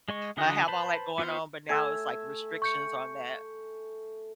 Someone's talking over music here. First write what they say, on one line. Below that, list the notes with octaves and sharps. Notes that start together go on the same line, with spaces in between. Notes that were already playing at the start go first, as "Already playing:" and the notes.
uh, have all that going on, but now it's, like, restrictions on that.
G#3 D#5 C#6
D3 D4 F#4 D#5 F#6
B4 C5 A5 B5
B3 F4 B4 C5 F6
A3 E5 G#5 E6 G#6
C#6 G6 C#7